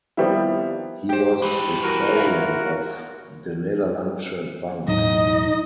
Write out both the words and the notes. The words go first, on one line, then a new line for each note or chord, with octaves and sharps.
He was historian of De Nederlandsche Bank.
D#3 F3 G3 B3 C4 E4
G4 C5
G2 E3
F#4 A#4
E4 F4
E1 A2 F#3 D#4 D#5